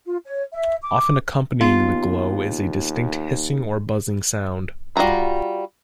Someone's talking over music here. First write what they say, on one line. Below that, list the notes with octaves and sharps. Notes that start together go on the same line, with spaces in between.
Often accompanying the glow is a distinct hissing or buzzing sound.
F4
C#5
E5
D6
D#2 B3 F4
G3 F4 F#4 A#5 B5